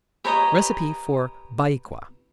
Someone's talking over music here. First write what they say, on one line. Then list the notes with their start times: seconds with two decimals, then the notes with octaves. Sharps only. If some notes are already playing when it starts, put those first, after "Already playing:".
Recipe for Baikwa.
0.25 G4 B4 C#5 D#5 G#5 A#5